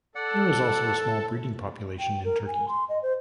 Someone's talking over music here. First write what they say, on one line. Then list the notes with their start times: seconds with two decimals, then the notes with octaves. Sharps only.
There is also a small breeding population in Turkey.
0.15 A4 D5 F#5
1.99 G5
2.24 A#4
2.47 G#5
2.68 C6
2.89 D#5
3.03 C5